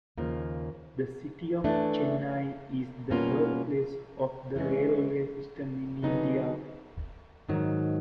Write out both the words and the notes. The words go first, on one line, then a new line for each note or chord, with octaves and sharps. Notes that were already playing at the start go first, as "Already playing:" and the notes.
The city of Chennai is the birthplace of the railway system in India.
D#2 C#3 F3 A#3
E3 A3 D4
B2 G3 A#3 C#4 F4
E3 G#3 C#4
D3 F#3 B3 D#4 G#4
G#2 D#3 F#3